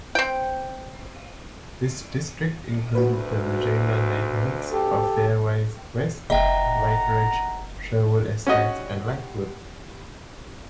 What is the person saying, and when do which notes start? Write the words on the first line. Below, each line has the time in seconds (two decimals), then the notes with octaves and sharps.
This district included the Regina neighbourhoods of Fairways West, Lakeridge, Sherwood Estates and Lakewood.
0.15 C4 G5
2.95 D2 F#4 B4
4.72 G4 A4
6.30 F#1 D#5 E5 F#5 G5 A#5
8.47 C#4 F#4 D#5